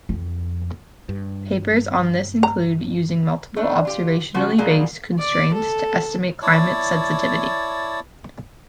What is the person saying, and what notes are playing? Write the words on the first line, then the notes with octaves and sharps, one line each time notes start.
Papers on this include "Using multiple observationally-based constraints to estimate climate sensitivity".
F2
G2
A#5
A3 D4
F4 G4
C#3 F3 A#3 F#4
B2 F#3 G3 A#3 F4 G#4
D5
A4
E4 C#5 D5 A5